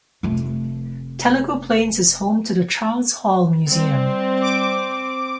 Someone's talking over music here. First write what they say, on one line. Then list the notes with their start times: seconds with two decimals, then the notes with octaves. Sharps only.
Tellico Plains is home to the Charles Hall Museum.
0.23 F1 A3
3.68 G3 C4
4.42 D6